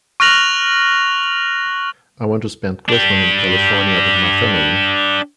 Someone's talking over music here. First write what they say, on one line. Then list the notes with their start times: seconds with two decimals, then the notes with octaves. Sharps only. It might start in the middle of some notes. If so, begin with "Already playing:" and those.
I want to spend Christmas in California with my family.
0.20 C#6 F6 F#6 A#6 F7 F#7
2.89 D4 G4